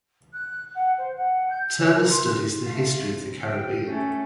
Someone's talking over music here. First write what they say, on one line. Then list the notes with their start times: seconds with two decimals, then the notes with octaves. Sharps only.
Turner studies the history of the Caribbean.
0.33 F#6
0.75 F#5
0.98 C5
1.16 F#5
1.50 G6
1.79 C#5
1.94 A#4
2.10 C6
2.65 A3 F4
3.02 F2
3.46 G5
3.88 A3 C#4